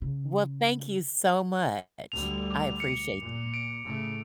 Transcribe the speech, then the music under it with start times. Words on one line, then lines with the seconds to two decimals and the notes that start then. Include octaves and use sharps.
Well, thank you so much, I appreciate you.
0.02 C#3
2.12 D2 D3 G3 F7
2.51 D6
2.80 C#7
3.20 A#2
3.54 D7
3.84 A2 C#3 A3